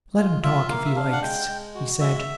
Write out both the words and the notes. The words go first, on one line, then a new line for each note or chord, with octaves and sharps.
"Let him talk if he likes," he said.
F4
F4 E5
A#3 F5
E5
D4 F5
F#5
G#3 G5
G#3
F#4
G#3 E5